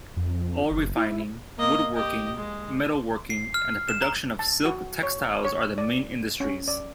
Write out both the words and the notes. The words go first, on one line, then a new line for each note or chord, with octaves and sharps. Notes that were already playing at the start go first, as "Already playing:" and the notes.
Oil refining, woodworking, metalworking, and the production of silk textiles are the main industries.
F2
F#1
E4
A#3 D#5
G4 D#5
G#3
C7
F6
E7
A#5
A5
F#4
C#5
C#5
D5
C#4
D5